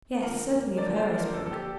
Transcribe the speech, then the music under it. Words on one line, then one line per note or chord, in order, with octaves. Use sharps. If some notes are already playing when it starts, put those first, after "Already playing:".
"Yes, certainly, of her I spoke."
D3 F3 A#3 A#4
D3 F3 A#3 D5
C5
A#4
D3 F3 A#3 A4
A4
G4